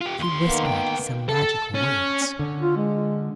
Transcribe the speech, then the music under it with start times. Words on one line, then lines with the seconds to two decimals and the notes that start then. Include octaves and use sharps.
She whispered some magical words.
0.01 F4 G4
0.19 D#2 C6
0.43 D#3 A#3 B3
0.63 D2 G5
1.29 A4
1.75 C#4
2.39 D3
2.61 F4
2.77 G#3